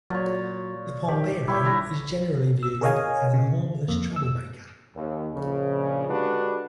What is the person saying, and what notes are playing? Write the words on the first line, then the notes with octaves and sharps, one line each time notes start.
The Pombero is generally viewed as a harmless troublemaker.
A#2 F#3 C#5
D#3 G4
G3 E4 G4 C#5
D4 E4 A#5
E6
G#4 A#4 C#5 D#5 F5 G#5
C#3
F2 A#3
E6
D#2
A#1 C#3
D3 G#3 D4 F#4 G4 B4